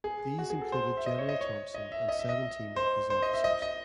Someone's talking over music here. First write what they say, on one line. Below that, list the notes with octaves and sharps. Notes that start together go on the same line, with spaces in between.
These included General Thompson and seventeen of his officers.
G#4
F#4
G#4
A4
C5
E5
D#5
C#5
D#5
C#5
D#5
E5
D#5
E5
D#5
C5
C5
D#5
E5
D#5
D#5